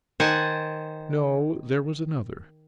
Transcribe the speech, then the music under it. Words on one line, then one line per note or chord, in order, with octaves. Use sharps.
'No there was another.
D#3 C5 F#5 G#5 A5